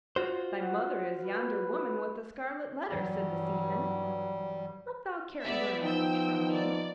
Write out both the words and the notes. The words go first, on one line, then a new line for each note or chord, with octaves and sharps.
"Thy mother is yonder woman with the scarlet letter," said the seaman, "Wilt thou carry her a message from me?"
F4 F#4 C5
F#5
B4
G2 E3 F#3 G3
B3 D5 E5
F3 B3 D#4 G5 E6
D5